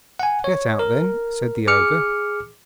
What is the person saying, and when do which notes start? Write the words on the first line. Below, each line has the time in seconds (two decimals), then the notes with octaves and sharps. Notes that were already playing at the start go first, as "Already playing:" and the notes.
'Get out, then!' said the ogre.
0.19 F#5 G#5
0.44 C#5
0.79 A#4
1.67 G#4 D6 F6 C#7